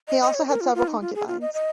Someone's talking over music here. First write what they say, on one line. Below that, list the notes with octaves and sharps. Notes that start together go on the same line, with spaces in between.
He also had several concubines.
D#5
D#5
C#5
A#4
F4
F4
D#4
F4
G#4
F4
D#5
D#5